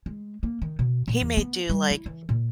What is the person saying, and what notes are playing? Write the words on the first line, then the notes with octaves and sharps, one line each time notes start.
he may do, like,
G#3
A#3
D#3
B2
A#2
E2
B3
G3
E4
E3
A#2